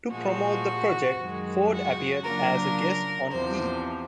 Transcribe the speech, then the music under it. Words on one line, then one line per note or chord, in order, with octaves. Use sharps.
To promote the project, Ford appeared as a guest on E!
A#2 F3 G#3 F#4
F#2 D#3 G#3
F#4
C#3 F#3 A#3 D4 F4 A#4
E2 C3 F3 C5